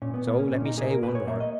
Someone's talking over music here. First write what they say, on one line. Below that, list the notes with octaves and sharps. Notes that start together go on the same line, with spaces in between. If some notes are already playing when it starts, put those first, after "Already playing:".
So let me say one word.
A#2 C#4
B3
A#3 B3
C#4
A#2 C#4
D#4
A#3 G#4
A#4
A#2 B4
C#5
A#3 E5
D#5